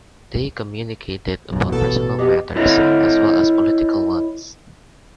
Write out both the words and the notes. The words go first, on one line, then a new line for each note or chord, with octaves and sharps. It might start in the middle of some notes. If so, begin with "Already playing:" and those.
They communicated about personal matters, as well as political ones.
B1 F#2
A1 B2 A4
B3 G4 D#5 A5
E4 A4 C#5 D#5